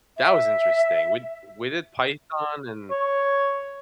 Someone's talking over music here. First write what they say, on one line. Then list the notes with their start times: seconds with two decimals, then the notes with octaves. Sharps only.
that was interesting. We d we did python and
0.17 E5
2.91 C#5